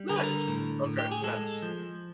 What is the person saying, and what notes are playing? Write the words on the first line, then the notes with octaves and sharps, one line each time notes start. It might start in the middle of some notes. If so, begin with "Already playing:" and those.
Nice. Okay, nice.
Already playing: G3
D3 A#4
B4
A#4
A2
A2
G4
G#4
G#3 A4
F3